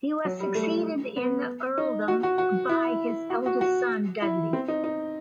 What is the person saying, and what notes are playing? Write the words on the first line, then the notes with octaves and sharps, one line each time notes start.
He was succeeded in the earldom by his eldest son, Dudley.
F#3
G3
A3
B3
D#4
F#4
F#4
F#4
E4
F#4
F#4
F#4
E4
C4
D#4
D#4